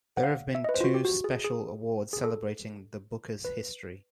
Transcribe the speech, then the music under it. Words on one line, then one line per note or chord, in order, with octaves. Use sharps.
There have been two special awards celebrating the Booker's history.
F#5
F5
E5
D#5
B4
C5
F4
F#4
G4
F#4
G#4
G#4
G#4
A4
B4